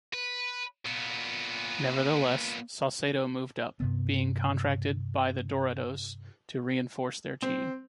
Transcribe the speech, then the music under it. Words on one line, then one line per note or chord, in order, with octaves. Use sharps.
Nevertheless, Saucedo moved up, being contracted by the Dorados to reinforce their team.
B4
A#2 B3
G2 C3 B3
C4